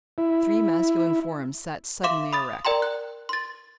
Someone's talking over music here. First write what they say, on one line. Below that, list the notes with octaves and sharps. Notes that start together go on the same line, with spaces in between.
Three masculine forms sat suddenly erect.
E4
E5 F5 C6 D6 E7
B5 D#6 A6
A#4 D5 G5 A#5 C6
F#6
C6 A6